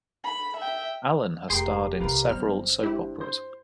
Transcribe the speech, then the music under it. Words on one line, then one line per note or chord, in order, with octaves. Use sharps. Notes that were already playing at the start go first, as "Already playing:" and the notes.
Allan has starred in several soap operas.
B5
E5 G5
F1 G4 G#4 A#4 G5 C6
C2 C3 F4 A#4 B4
G1 F#3 G3 B3 C4 F6
G#3 D4 E4 G4
C5